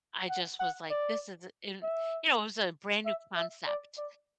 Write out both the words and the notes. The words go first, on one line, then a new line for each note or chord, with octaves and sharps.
I just was like, "his is i" and, you know, it was a brand new concept,
F#5
F#5
D5
E5
E5
E5
D5
D5